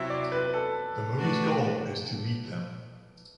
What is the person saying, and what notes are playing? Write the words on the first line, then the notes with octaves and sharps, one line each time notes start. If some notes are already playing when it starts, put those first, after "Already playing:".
The movie’s goal is to meet them.
Already playing: C3 F#3 C4 E4 E5
D5
B4
A4
A3 D4 F#4 B4